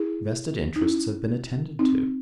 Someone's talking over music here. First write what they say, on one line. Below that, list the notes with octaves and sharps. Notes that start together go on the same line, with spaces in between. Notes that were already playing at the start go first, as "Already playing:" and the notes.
Vested interests have been attended to.
Already playing: E4 G#4
D#4
C#4 E4
C4 D#4